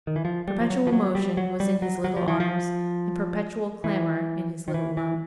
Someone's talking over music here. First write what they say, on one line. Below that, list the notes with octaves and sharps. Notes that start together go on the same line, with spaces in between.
Perpetual motion was in his little arms and perpetual clamor in his little lungs.
D#3
E3
F3
G3
F3
F#3
F3
F#3
G3
F#3
G3
F#3
F#3
F3
E3
F3
E3
D#3
E3
E3